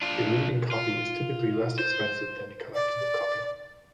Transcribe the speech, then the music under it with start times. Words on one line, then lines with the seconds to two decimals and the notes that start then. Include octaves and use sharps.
A reading copy is typically less expensive than a collectible copy.
0.01 D4 F4
0.71 F4
1.79 C5
2.74 D5